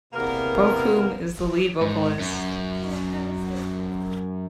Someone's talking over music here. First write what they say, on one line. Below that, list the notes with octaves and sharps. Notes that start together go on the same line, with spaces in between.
Bocoum is the lead vocalist.
E2 C3 A#3 B3 A#4
G#2
F#2